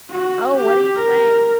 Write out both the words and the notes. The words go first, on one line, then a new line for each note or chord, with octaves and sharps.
Oh, what do you play?
F#4
G4
A#4